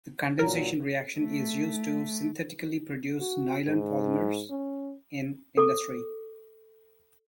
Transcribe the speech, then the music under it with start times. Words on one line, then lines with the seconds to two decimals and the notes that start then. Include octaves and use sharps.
The condensation reaction is used to synthetically produce nylon polymers in industry.
0.39 A#2 F#3 A#4
1.18 A3
3.20 F#4
3.67 G#2
4.50 C#4
5.57 A4 D6